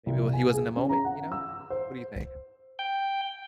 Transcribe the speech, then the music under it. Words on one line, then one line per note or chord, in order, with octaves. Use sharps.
Maybe Well he was in the moment, you know? But, what do you think?
C2
G#5
G#4
C#4
A#5
F#5
E6
C5
G5